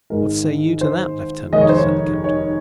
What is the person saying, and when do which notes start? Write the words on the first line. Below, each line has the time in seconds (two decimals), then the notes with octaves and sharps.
"What say you to that, leftenant?" said the captain.
0.10 G#1 G#2 D#3 G#3 A#4
0.81 C5
1.52 F1 D#2 D#3 G#3 D#5
1.61 C#5
1.69 C5
1.77 C#5
2.24 C#5